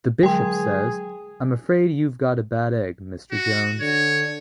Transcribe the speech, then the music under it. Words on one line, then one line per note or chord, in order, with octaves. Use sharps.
The bishop says: I'm afraid you've got a bad egg, Mr Jones.
D3 F#3 G#3 G#4 G5 C6
F#4
D3 C#5